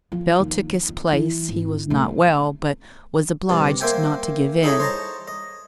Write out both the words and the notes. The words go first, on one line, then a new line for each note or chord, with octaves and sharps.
Bell took his place; he was not well, but was obliged not to give in.
F3
D#2
F2
E3
G#1
C3 A3
G2 C3
A#3 C5 E5 G5 G#5
D#4 E4 G#4 A4 C#5 D#5
C5 C#5 D#5 A5 A#5
D#5